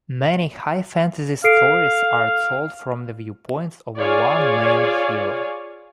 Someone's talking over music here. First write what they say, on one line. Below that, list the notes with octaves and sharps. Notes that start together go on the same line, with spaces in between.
Many high fantasy stories are told from the viewpoint of one main hero.
A4 F5 C7 D7
F4 G#4 C#5 D5 F5 G#5